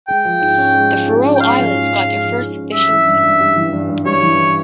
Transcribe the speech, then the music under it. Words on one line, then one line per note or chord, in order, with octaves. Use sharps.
The Faroe Islands got their first fishing fleet.
G#3 G5
F3
G#2
C#4
G#3
F3
G#2
C#4
G5
G#3 F5
F3
G#2
C#4
G#3
F3
G#2
C#4
G3 E5
E3
G2
G2
G3
E3
G2
G2
G3 C#5
E3